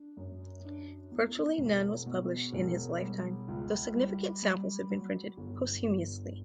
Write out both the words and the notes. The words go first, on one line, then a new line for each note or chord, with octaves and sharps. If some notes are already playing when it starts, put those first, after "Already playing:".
Virtually none was published in his lifetime, though significant samples have been printed posthumously.
Already playing: D4
F#2
D4
E2
E1
B2
E1
G3
C#2
G3
G3
F#3
G1
G1